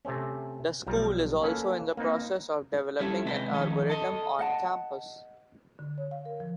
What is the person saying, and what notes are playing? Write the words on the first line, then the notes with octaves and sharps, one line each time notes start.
The school is also in the process of developing an arboretum on campus.
C3 A3 C4 C#4
B1 F3 G3 A#5
A#3 C#4 A4 B4 F5
A#3 C4 D#4 B4
G3 C#4 E4 A4
C3 G#3 B4 D#5 G5
D#3 F3 A3 C#4 D#5
A4 D#5
D#5 F#5 A5
D3
C#5
F5
A#4
F3